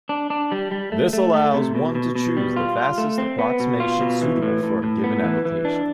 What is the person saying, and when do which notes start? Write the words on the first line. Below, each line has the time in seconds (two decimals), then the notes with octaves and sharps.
This allows one to choose the fastest approximation suitable for a given application.
0.09 D4
0.30 D4
0.52 G3
0.71 G3
0.92 A3
1.13 A3
1.34 A3
1.54 C3
1.75 B2
1.95 B2
2.15 B2
2.37 G3
2.56 F4
2.78 F4
2.98 A3
3.18 C4
3.39 B3
3.60 B2
3.80 F4
4.01 B2
4.21 E3
4.43 A2
4.63 A2
4.83 A2
5.04 B3
5.24 E3
5.45 E3
5.65 D4